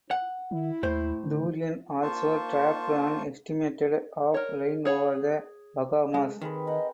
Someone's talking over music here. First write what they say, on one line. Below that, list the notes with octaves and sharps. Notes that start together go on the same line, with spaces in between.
Dorian also dropped an estimated of rain over the Bahamas.
F#5
D#3 E4
D#2 A2 C5
D3
A#3 F4 C5 A5 C#6
A#4 C#5
G#4 C#5 F#5
G#3 A4
D#3 C4 G#4 B4
A#4 D#5 F#5 G5